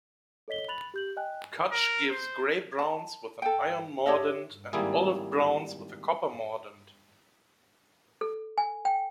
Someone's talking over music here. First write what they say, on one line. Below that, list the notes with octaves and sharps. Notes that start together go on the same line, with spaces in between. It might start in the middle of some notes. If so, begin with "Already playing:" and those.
Cutch gives gray-browns with an iron mordant and olive-browns with a copper mordant.
A4 C#5 D#5 B6 G7
B5 F#6 A6 F7 F#7
G4 G6 F#7
D#5 G5 G#5 F#6
A#4
C5
A5
A4 G5
G4 C#5 D#5 E5
G#1 G3 A#3 E4 G#4
A4
G#5
G5